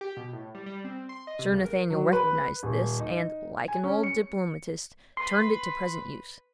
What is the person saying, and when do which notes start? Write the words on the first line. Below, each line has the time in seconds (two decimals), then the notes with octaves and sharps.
Sir Nathaniel recognised this, and, like an old diplomatist, turned it to present use.
0.01 G4
0.17 B2
0.33 A2
0.55 G3
0.66 G3
0.85 C4
1.09 C6
1.27 D#5
1.39 C3
1.51 C#2
1.65 A#4
1.90 F#3
2.13 B4
2.63 D#1
3.00 D#4
3.68 G#5
3.83 C#4
4.03 C#7
5.17 B4 B5 C6